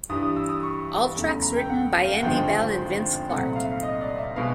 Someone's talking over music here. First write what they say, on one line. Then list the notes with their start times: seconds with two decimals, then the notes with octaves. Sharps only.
All tracks written by Andy Bell and Vince Clarke.
0.09 G2 E3 G3 D#6
0.23 D#6
0.36 E6
0.49 D#6
0.63 C#6
1.16 E2 C#3 F#3 A3
1.29 B5
1.42 A#5
1.56 G5
1.70 F#5
2.04 F5
2.14 F#5
2.22 G#1 G2 D3 F3 G#3 G5
3.29 C2 A#2 F#3 A3 C4 F#5
3.56 F5
3.63 E5
3.71 F5
3.83 D#5
4.01 D5
4.18 E5
4.36 B2 G#3 B3 F5